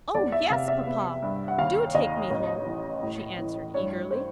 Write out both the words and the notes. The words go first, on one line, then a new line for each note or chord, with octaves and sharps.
"Oh, yes, papa, do take me home," she answered eagerly.
E2 D5
E5
C3 F5
E5
B3
G2
F#5
D#2 F5
D#2 D#5
A1
E3
A2
E3
G2 C#5
C5